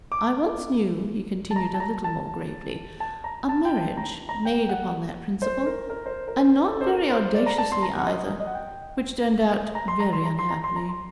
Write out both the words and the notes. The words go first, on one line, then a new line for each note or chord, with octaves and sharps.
I once knew,' he continued a little more gravely, 'a marriage made upon that principle, and not very audaciously either, which turned out very unhappily.'
D6
A5
A#5
A5
A#5
A5
A5
A#5
A5
G5
A5
A#5
A#5
G5
F#5
C5
A#4
A#4
C5
A#4
C5
A4
C5
A#4
C5
D5
A#5
A5
C6
A#5
F#5
D#5
D#5
F#5
G5
A#5
C6
A#5
C6
A#5
C6
A#5
C6
A#5
C6